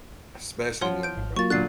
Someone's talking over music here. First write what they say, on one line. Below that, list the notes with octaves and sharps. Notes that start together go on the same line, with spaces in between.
Especially women, bro.
F3 C#5 F#5 C6
G6 D7
G#1
F#3 A#3 F4 C#6 A6
A#2 D3 F#6 A6 C7